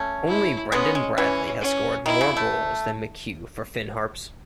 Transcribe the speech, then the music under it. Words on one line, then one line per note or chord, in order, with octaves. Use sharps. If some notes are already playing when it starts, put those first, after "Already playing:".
Only Brendan Bradley has scored more goals than McHugh for Finn Harps.
Already playing: A3 C#4
E4
G#3 B3 C#4
G#3
E3 C#4
C#4
D#3 E4
C#3
A3